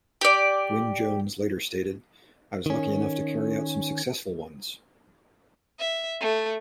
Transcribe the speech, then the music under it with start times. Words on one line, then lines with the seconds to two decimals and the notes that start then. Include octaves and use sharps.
Gwynne Jones later stated, I was lucky enough to carry out some successful ones.
0.21 G4 D5
2.66 D#3 C#4
5.79 E5
6.21 A3